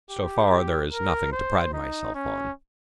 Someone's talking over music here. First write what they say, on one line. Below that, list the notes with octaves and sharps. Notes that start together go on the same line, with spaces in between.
So far there is nothing to pride myself on.
G4
A#4
C5
D#4
C#4